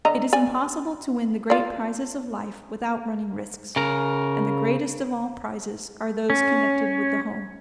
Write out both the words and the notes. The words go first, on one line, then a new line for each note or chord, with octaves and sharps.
It is impossible to win the great prizes of life without running risks, and the greatest of all prizes are those connected with the home.
D3 D#5 A#5
D5 G#5
F4 D5
C#3 A#4
C#4